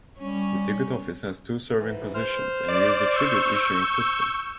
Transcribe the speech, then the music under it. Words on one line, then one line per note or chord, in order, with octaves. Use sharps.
The ticket office has two serving positions and uses the Tribute issuing system.
G3 C#4
G#2 E3
C5 F6
D5
C#6 E6 G6